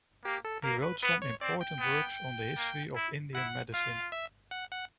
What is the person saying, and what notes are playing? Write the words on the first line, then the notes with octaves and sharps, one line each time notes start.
He wrote some important works on the history of Indian medicine.
A#3 G4
A4
A#3 A#4
B4
B3 B4
C#5
C4 D5
G5
B3
A#3
E4
E4 F#5
F4 F5
E5
F#5
F#5